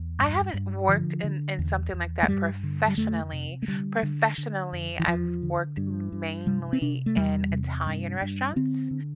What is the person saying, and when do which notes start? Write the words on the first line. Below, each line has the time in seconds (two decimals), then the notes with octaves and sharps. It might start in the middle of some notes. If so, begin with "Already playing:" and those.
I haven't worked in in something like that professionally. Professionally, I've worked, mainly, in Italian restaurants,
Already playing: E2
0.19 G2
0.54 G2
0.89 D3 F3
1.24 D3
1.59 E2
1.94 E2
2.23 A3
2.28 G2 G3
2.63 D3
2.88 G3
2.98 F2 A3
3.33 C3
3.62 A3
3.68 D3 G3
4.03 D3
4.38 D3
4.72 F2
4.99 E3
5.07 E2 F3
5.42 D3
5.77 G2
6.12 G2
6.47 C3 G3
6.73 C4
6.82 C3 D4
7.06 A3
7.16 E2 G3
7.51 C3
7.86 G2
8.21 G2
8.56 D3 C4
8.91 D3